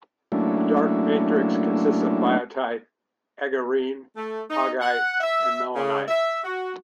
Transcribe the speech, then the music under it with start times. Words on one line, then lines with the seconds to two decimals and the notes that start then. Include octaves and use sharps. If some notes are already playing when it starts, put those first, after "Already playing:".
The dark matrix consists of biotite, aegirine-augite and melanite.
0.32 F#3 A3 A#3 C#4 D4 E4
4.16 A3
4.50 D#4
4.81 F#5
5.21 E5
5.75 C#3
6.08 E5
6.44 F#4